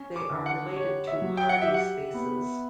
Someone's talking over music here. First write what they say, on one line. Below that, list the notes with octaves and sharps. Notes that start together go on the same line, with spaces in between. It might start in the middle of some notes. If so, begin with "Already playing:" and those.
They are related to Hardy spaces.
Already playing: C#4
D6
D3
F#5
G4 C#5
E5
F#3
G5
F#5
E5
G4
F#5
B3